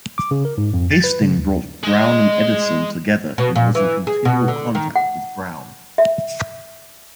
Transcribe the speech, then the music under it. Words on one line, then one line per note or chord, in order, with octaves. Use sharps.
Hasting brought Brown and Edison together and was in continual contact with Brown.
D6
C#3
A#4
G#2
F2
A6
B4
C#3
D#2
G#3 D#5
B2
A#2
E3
G#4
B2
D3
D#3
F#5
E5